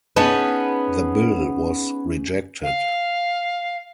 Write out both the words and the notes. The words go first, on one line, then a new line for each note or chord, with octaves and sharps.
The bill was rejected.
B3 C#4 D#4 G#4 C#5 A5
F5